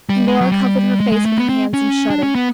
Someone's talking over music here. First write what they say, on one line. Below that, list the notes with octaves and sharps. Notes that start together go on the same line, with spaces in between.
And Lora covered her face with her hands and shuddered.
G3
G#3
F#3
G3
G#3
G#3
A3
B3
C4
C#4
D4
C#4
B3